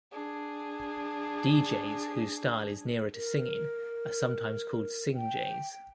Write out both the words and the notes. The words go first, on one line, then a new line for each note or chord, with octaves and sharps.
Deejays whose style is nearer to singing are sometimes called singjays.
D4 G#4
A#4
G5